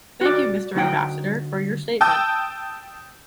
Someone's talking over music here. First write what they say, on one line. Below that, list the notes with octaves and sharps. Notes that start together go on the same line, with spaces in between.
Thank you, Mr. Ambassador, for your statement.
F#4 D5
D2 F#3 D#4 C5 F#5 G5
G5 A5 D#6 E6 G6